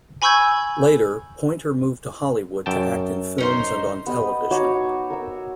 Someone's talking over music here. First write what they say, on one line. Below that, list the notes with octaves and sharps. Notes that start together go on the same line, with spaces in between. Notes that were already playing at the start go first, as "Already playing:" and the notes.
Later, Pointer moved to Hollywood to act in films and on television.
G#5 B5 C#6 E6 G6 G#6
F#2 G5 A5
C#4 D#4 C5
B3 G4 D#5
D#4 F#4 C#5 D6
A#4 E6